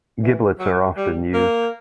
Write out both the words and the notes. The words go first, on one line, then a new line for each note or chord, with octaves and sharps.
Giblets are often used.
E3
F#3
G3
A#3